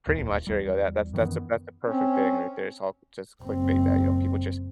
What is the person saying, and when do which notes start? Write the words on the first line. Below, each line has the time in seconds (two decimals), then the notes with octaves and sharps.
Pretty much, there you go, that that's that's a that's the perfect thing right there, it's all just clickbait that, you know, people just
0.07 D1 G#1 E2 A#2
0.47 E2 G3
1.13 F#2 D#3 E3 B3
1.87 C4 C#4
3.43 F#1 C4